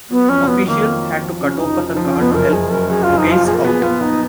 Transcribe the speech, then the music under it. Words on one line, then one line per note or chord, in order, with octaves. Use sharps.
Officials had to cut open the car to help Ongais out.
F#3 B3
F2 C#4
F#3 B3
D#3 A#3
F2
F#3
F3
C#3 C#4
F1 D#4
F3
F3 D#4
C#4
F1 B3
F#1 A#4
F#1 G#4
F#2 A#4
F#2 G#4
F4
F#1
D#4
F3 F4
A#2 G#4
A#4
B3 G#4
B3 F4
B3 D#4